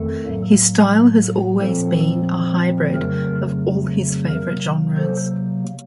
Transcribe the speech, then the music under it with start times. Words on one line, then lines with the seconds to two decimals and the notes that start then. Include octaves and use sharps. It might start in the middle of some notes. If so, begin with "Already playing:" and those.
His style has always been a hybrid of all his favorite genres.
Already playing: F2 D#3 A3 A4
0.25 A2 F#3 A#3
1.59 A#2 F3 C4 A4
2.94 F2 C#3 F#3 A3 A#4
4.29 C3 F#3 A#3 A#4
4.96 A4 C5